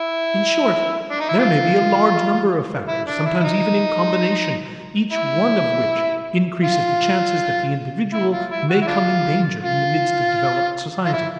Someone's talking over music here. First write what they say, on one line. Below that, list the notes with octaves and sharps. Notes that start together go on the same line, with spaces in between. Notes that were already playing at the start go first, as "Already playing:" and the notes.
In short, there may be a large number of factors, sometimes even in combination, each one of which increases the chances that the individual may come in danger in the midst of developed society.
Already playing: E4
D4
D#4
E4
D4 F4
E4
D4
E4
E4
D#4
E4
F4
E4
F4
E4
F#4
E4
D4 F4
F4
F4
E4